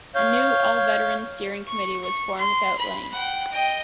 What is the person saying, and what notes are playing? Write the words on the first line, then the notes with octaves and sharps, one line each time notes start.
A new, all-veteran steering committee was formed without Lane.
C#5 F5 G6
C#6
C#6
C6
B5
F#5 G5
D#5 G5